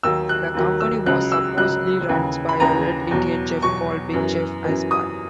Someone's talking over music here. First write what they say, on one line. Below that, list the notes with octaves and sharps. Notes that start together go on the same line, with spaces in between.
The company was supposedly run by a Red Indian chief called Big Chief I-Spy.
D#2 D#3 F#3 E6
F#6
D#2 D#3 F#3
E6
C#2 C#3 F#3 F#6
E6
C#2 C#3 F#3 F#6
D#2 C#3 E3
B5
D#2 C#3 E3 A#5
E2 B2 F#3
E2 B2 F#3 C#6
F#2 E3
F#2 E3
D#6